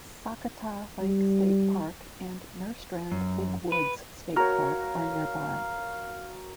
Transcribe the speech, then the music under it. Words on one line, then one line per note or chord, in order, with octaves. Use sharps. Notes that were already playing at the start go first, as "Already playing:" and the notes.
Sakatah Lake State Park and Nerstrand-Big Woods State Park are nearby.
G3
F#2
B4
F#4 A#4 C#5 F5 A#5 F6